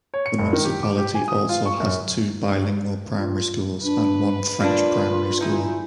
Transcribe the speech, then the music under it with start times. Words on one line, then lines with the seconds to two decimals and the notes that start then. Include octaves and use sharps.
The municipality also has two bilingual primary schools and one French primary school.
0.14 C#5
0.26 C#7
0.39 F#1
0.53 D#3
0.65 G4
0.83 D6
0.98 G4
1.15 G#5
1.28 D#6
1.49 F4
1.66 C#6
1.80 F#2
3.18 F4
3.84 D4 B4
4.60 A#3 D4 F4
5.41 D#4 E4 G#5